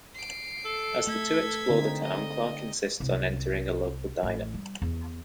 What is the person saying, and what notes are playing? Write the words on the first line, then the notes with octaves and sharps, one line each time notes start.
As the two explore the town, Clark insists on entering a local diner.
C7 D7
A4
A3 G#6 B6
D3 C4 D#4
D#5
C2
A1
G3
E2